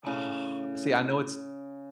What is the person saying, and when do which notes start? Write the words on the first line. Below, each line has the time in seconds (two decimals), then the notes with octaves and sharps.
Oh, see, I know it's,
0.06 A2 C#3